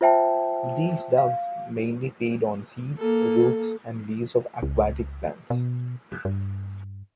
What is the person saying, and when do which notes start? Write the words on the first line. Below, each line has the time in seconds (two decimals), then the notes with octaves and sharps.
These ducks mainly feed on seeds, roots, and leaves of aquatic plants.
0.01 F4 C5 E5 G5 A5
1.18 F5
2.97 A#3 A4
4.63 C#2
5.50 B2
6.25 G2